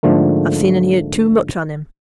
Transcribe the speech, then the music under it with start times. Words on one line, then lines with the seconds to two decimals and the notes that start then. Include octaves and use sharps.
'I've seen and heerd too much on him.'
0.03 G#2 D3 F3 A3 A#3